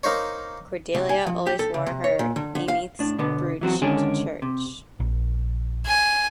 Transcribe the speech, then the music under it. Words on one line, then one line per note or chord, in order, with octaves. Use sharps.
Cordelia always wore her amethyst brooch to church.
A#3 D#4 C5 C#5
C2
G#5
F3
G4
A4
C#3
C3
C#5
A#2
D3
D3
F5
A2 D4
B2 D3 B3
E3 F#3 C4 F#4
D3 D#3 G#3 C#4 D4 G#4
C3
A#1
G#5